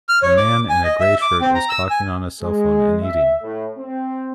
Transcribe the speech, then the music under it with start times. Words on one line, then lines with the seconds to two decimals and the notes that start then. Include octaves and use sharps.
A man in a gray shirt is talking on a cellphone and eating.
0.09 F6
0.22 C#5
0.37 D6
0.69 G#5
0.84 D#5
1.00 E5
1.22 D6
1.41 C4
1.55 A#5
1.69 E6
1.90 G#5
2.42 G#3
3.02 E5
3.42 A2
3.77 C4